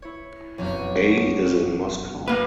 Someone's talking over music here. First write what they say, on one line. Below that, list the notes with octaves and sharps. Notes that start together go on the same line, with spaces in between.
A is in Moscow.
E4 C#5
F1 B1 F#2 C#4 D4 F#4
A#3 B4